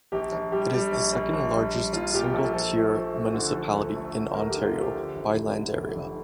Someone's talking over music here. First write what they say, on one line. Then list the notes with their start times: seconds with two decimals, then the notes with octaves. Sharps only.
It is the second largest single-tier municipality in Ontario by land area.
0.12 A#1 G4
0.32 A#1
0.52 G3 G4
0.73 G3
0.92 A#1
1.13 A#1
1.33 A#1
1.54 G3
1.74 G3
1.93 A#1 F4
2.14 A#2 G4
2.34 A#1 A4
2.54 F3 A4
2.74 A3
2.94 F3
3.14 A3
3.34 D3
3.55 F3
3.74 D2
3.95 A3
4.14 D3
4.34 D2 A#4
4.50 G4
4.55 D3
4.65 F4
4.75 F3
4.81 G4
4.95 D3
5.16 F1
5.36 F1
5.56 D3
5.76 F1
5.96 F1